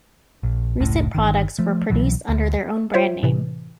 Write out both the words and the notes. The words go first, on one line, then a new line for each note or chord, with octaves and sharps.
Recent products were produced under their own brand name.
A#1
F#1 C#2 A2
G1 D#3
F3 A3
C2 B2 E3 F#3
D2
G3 F4 C5 C#5 E5
A2 C3 E3